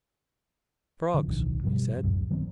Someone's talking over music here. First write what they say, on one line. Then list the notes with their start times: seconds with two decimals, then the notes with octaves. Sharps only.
"Frogs," he said.
1.14 D3 F3
1.28 D1 B1 D#3
1.63 G2 B2 F3 G3
2.03 D1 A#1 F#2
2.30 D#3 F#3 B3 C4